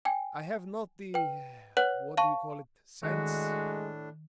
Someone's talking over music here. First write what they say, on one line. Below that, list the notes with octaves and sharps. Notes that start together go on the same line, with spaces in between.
I have not the--what do you call it--sense?
G5 G#5
B4 G5
B4 C#5 F#5 F#6
F5 A5 C#6
A2 D#3 G#3 A3 D4 F#4